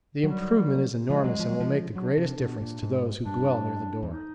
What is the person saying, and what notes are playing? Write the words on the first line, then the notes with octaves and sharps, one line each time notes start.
The improvement is enormous and will make the greatest difference to those who dwell near the door.
F#3 G3
F3 G#3
F#3
F3
F#3
F3
F#3 D4
C3
B2
A#2
G#2
G2 D4
E2
D#4